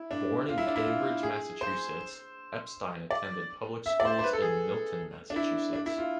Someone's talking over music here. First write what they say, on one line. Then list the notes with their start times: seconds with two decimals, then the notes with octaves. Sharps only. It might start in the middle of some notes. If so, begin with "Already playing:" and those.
Born in Cambridge, Massachusetts, Epstein attended public schools in Milton, Massachusetts.
Already playing: E4
0.11 D4
0.48 F4
0.58 E4
0.67 D4
0.76 E4
0.86 F4
1.23 G#4
1.61 C5
3.11 D5
3.86 E5
4.00 D5
4.05 C5
4.19 C5
4.24 B4
4.33 A4
4.42 G#4
5.30 D4
5.36 E4
5.73 D4
5.86 E4
5.98 F4